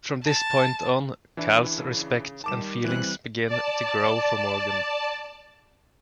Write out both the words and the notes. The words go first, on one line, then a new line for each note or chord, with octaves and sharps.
From this point on Cal's respect and feelings begin to grow for Morgan.
A5
E3 D4 E4
C#3
D#3 G3 A5 D6 E7
E3 G3 C4 F#6
D5 A5